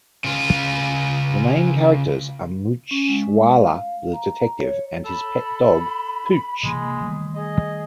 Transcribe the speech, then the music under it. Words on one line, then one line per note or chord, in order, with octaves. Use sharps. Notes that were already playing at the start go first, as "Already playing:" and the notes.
The main characters are Moochhwala the detective and his pet dog Pooch.
C#3 F4
C#4
G#3
F5
A#5
C#5
A4 B5
C3 E3 G#3 A#3
D#3 G3 A3
G#4 D#5